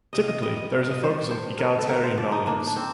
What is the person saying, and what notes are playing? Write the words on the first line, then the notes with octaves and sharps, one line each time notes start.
Typically, there is a focus on egalitarian values.
C3 D#5
D#5 F5
G3 D#5
D#5
C3 F5
D#5
G3 C5
D5
G2 C5
D3 A#4
A4
D3 A#4
C5
F3 D5
D#4
A#3 D4
D4
D#3 C4